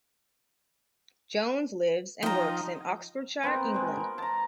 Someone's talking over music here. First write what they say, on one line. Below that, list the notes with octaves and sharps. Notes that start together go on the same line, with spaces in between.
Jones lives and works in Oxfordshire, England.
F3 D#4 G5 A#5
B3 C4 D#4 A#4
B2 G#3
A#4
A5 A#5